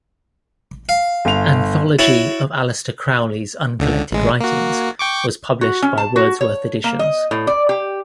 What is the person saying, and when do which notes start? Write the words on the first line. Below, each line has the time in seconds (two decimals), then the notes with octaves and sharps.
Anthology of Aleister Crowley's uncollected writings was published by Wordsworth Editions.
0.89 F5
1.25 G1 F7
1.99 E4 F#4 C#5 A6 F7 F#7
3.79 C#2 D3
4.11 A1 G#3
4.40 A#3 F#4
4.99 G5 C#6 D6
5.61 F#4
5.82 C#4
5.98 A5
6.16 F#4
6.41 C#5
6.84 A#3
6.99 D#5
7.31 A2
7.47 D5
7.69 G4